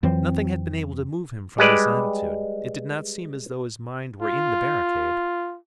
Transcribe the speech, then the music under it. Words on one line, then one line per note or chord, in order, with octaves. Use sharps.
Nothing had been able to move him from this attitude; it did not seem as though his mind were in the barricade.
F2 E3 F#3 C4
G3 G#3 B4 D5
F4